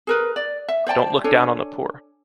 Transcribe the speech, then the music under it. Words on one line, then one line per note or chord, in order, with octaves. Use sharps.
Don’t look down on the poor.
G#4 A#4 B4
D5
E5
C5 D5 G5 A5
D4 A4 C#5 G#5